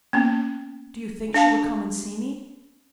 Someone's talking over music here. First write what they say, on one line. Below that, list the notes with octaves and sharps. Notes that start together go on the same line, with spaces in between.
"Do you think she would come and see me?"
A#3 B3 C#4
D4 F5 A5